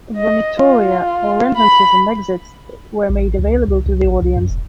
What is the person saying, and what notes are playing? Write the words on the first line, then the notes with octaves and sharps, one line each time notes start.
"Vomitoria" or entrances and exits were made available to the audience.
D#5
F4
B5
A1
C#2
C2
C2
A1
C2
F#2
E1